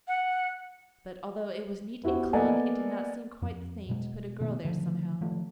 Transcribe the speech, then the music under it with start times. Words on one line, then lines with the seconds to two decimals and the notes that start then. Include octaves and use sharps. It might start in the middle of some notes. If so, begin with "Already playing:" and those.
But, although it was neat and clean, it did not seem quite the thing to put a girl there somehow.
0.08 F#5
2.03 B3 E4 F#4 G4 C5
2.33 A#3 B3 A4 D5 D#5 G#5
3.42 F2
3.89 B2 G#3
4.41 B2 D#3 A3 B3
4.65 D3 D#3 F3 A3
5.21 D#3 F3 A3